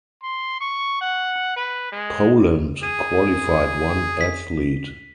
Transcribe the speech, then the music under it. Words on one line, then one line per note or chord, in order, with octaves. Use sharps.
Poland qualified one athlete.
C6
C#6
F#5
B4
G#3
G#4 D#7
B6